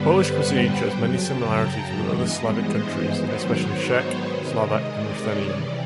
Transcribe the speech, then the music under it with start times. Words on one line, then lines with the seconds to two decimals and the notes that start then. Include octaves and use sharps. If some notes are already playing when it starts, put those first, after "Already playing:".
Polish cuisine shares many similarities with other Slavic countries, especially Czech, Slovak and Ruthenian.
Already playing: G2 D3 G3 B3 B4 C5
0.22 F#5
0.51 G5
0.80 F#2 C#3 F#3
1.08 A5
1.38 A#5
1.67 A5
1.95 G2 E3 G#3 B3 D#5
2.54 C5
3.11 G#2 D#3 F#3 B3
3.40 C#5
3.69 C5
3.98 B4
4.27 C3 D#3 G#3 D#5
4.56 D#5
4.85 D5
5.14 C#5
5.43 C3 E3 G3 D5